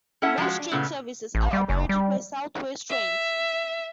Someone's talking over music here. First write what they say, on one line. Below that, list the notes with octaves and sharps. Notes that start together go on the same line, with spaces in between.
Most train services are operated by South West Trains.
C#4 E4 A4 E5 F#5
F3 G#3 C#4 F#4
D4
A#2 C#3 A3 B3
A1
G3
F#1
G3
E5